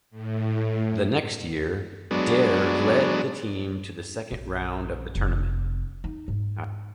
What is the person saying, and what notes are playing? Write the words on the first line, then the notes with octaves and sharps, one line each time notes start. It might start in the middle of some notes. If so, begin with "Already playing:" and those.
The next year, Dare led the team to the second round of the tournament.
A2
F#3 G#3 B3 D4
A#1
F1
D#4
G#2